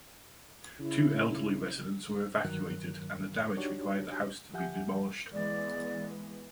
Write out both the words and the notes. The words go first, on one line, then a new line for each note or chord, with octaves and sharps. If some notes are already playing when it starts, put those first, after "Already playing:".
Two elderly residents were evacuated, and the damage required the house to be demolished.
C#3 E4
G2 D#3 F#3 A#4 F#6
D4 D#4 F#4 G4 C#5
F3 G4 E5 F#5 G#5 G6
E3 G#3 B3 D5